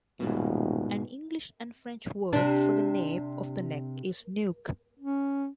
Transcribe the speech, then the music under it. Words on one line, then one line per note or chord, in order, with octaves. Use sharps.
An English and French word for the nape of the neck is "nuque".
D#1 G#2 B2
C3 D4
C#4